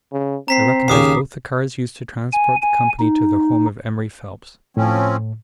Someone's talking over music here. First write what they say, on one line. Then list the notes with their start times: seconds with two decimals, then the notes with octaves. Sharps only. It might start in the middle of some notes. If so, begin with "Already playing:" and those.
I recognized both the cars used to transport the company to the home of Emery Phelps.
0.12 C#3
0.48 C4 A#5 B6 C7
0.88 D#2 C#3 D6 D#6 C7
2.33 G#5
2.62 G#5
2.99 D#4
4.77 A2 F3 C4 C#4